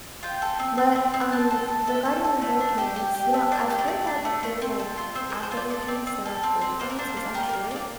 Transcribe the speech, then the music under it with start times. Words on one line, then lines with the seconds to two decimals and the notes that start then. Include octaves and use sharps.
but, um, regarding the hurricanes, you know, I've heard that they're like after hurricanes there are cold fronts, is that true?
0.23 F4 G5
0.42 A4
0.59 C4
0.78 C4
0.96 C4
1.14 C4
1.32 C4 A5
1.51 A4
1.68 A4
1.87 A4 E5
2.05 A4
2.24 A4
2.42 A3
2.60 D4
2.78 G4
2.96 G4
3.15 G4
3.34 A3
3.52 D4 D5
3.70 G4
3.79 D5
3.88 A3
4.07 D4
4.25 A3
4.43 A3
4.62 C4
4.79 A4
4.98 F4
5.15 C4 C5
5.30 A#4
5.34 A4
5.43 C5
5.52 F4
5.57 D5
5.70 A4 D5
5.88 C4
6.07 C4
6.25 A4
6.44 C4
6.61 C4
6.80 A#3 C5
6.90 A#4
6.99 D4 C5
7.17 A#3
7.34 G4 A#4
7.49 A#4
7.53 A#3
7.71 A#3 D5